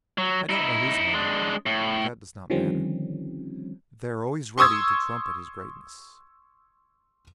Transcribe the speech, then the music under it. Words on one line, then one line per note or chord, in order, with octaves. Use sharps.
I don't know whose money--but that does not matter. They are always ready to trumpet his greatness.
F#3
D#4 E4
G#3 D4
A2
D3 D#3 F3 G3 C4 C#4
C6 C#6 D#6 E6 G#6